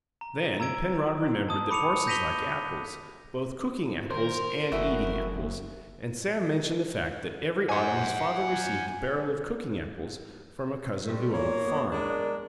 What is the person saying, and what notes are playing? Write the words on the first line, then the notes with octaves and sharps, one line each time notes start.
Then Penrod remembered that horses like apples, both "cooking-apples" and "eating-apples", and Sam mentioned the fact that every autumn his father received a barrel of "cooking-apples" from a cousin who owned a farm.
A#5
A#5 E6 G#6 D7
A5 D#6
B5 D6 C#7 D#7 F7
G6 A#6 B6 D#7 F7 G7
D#3 A#4 C5 C6
F#1 A3 E4 F#4 G#4 E5
F#5 G#5
G2 C3 A3
A#2 A#3 C#5
B3
G#3 D4 A#4